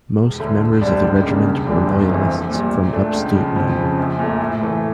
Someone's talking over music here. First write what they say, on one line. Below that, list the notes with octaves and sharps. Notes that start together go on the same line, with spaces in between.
Most members of the regiment were Loyalists from upstate New York.
E1
D2 D3 A3
E1
D2 D3 G3 D4
C#2
C#3 G3 A#3 D4
E1
E2 D3 G3 D4
G1
F2 E3
A#1
A#2 G3
A#2
A3 D4
C#2
C#3 F3
F2
C#3 F3
A#1
A#2 A3
A2
E3 A3